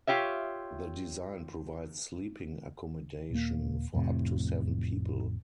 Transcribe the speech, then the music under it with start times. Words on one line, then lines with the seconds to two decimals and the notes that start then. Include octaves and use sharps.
The design provides sleeping accommodation for up to seven people.
0.07 F4 G4 C#5 E5
3.31 D#1 A#3
3.93 A1 F2 A2 C3